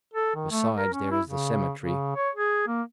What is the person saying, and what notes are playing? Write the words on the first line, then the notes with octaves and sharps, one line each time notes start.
Besides, there is the cemetery.
A4
D#3
A3
A#4
C#4
E4
C#3
C#3
C#5
G#4
A#3